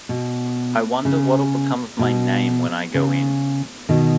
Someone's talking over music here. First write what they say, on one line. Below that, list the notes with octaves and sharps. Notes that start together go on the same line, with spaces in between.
I wonder what’ll become of my name when I go in?
B2
C#3
B2
C#3
B2 D#3